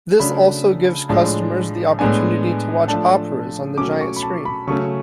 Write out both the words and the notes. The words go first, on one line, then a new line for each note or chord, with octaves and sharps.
This also gives customers the opportunity to watch Operas on the giant screen.
C#3 F#3 A3 D4 B5
A2 F3 G#3 D4
A2 G#3 B3 D4 G#5
F3 A3 D4 A5
B2 F#3 A3 C#4 D6
C#6
B5
A5
B5
C#3 F#3 A3 C#4 C#6